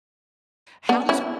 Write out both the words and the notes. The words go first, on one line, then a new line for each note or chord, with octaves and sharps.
how does
B3 D4
C#4 E4